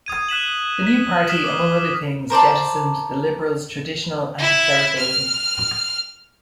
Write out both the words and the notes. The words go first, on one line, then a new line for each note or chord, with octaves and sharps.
The new party, among other things, jettisoned the Liberals' traditional anti-clericalism.
D#6 G#6 D#7
F#6 B6 E7 F#7
B6
D#6 F6 B6 E7 F#7
D6 D#6
A#4 C5 D5 A5
E4
F6